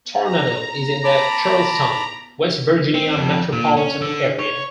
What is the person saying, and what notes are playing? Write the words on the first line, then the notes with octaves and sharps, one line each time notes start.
Tornado is in the Charleston, West Virginia metropolitan area.
A#5
A5 B5 D6
C4
F2
A#2
C#4
D3
C#5